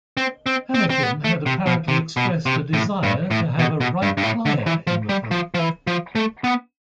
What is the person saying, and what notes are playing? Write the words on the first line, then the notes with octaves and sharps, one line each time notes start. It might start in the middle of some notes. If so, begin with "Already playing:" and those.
Annakin had apparently expressed a desire to have a Wright Flyer in the film.
C4
C4
C4
C4
B3
A3
C3
B2
C3
B2
C3
A2
G2
A2
B2
B2
G2
G2
A2
D3
E3
F3
G3
F3
F3
E3
F3
A3
B3